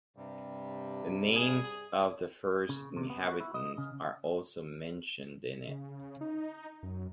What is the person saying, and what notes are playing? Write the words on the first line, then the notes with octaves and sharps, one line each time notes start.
The names of the first inhabitants are also mentioned in it.
G2 C3 G3
G#4
C#3
C3
B3
F#4
E4
D#5
C#3
C#3
D#4
F#2